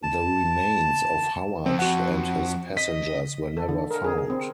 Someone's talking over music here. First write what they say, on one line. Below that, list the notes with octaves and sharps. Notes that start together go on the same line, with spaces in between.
The remains of Howard and his passengers were never found.
A5
F2 C4
F#4 F#5
D#5 B6
A4
D3
A#4
G#4
G#4
C4